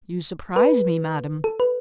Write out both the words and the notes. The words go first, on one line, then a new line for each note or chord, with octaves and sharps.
"You surprise me, madam."
B4
A4
B4